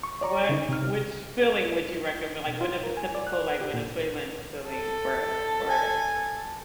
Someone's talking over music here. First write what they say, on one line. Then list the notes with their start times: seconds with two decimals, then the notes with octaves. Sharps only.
What which filling would you recommend, like, what is a typical, like, Venezuelan filling for for
0.03 C#6
0.21 C#5 D5 A#5 C#6
0.49 C#3 D#4
0.69 C3 F6
2.47 B2
2.61 F4
2.83 A#4
2.97 G#5
3.15 D5
3.27 F#6
3.47 B4
3.61 G4
3.74 A#2
4.68 A4
5.70 G#5